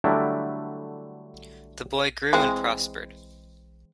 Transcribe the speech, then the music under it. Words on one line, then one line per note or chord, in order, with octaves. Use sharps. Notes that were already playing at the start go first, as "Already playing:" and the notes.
The boy grew and prospered.
D3 F#3 G3 A3 D4 E4
E3 G#3 C4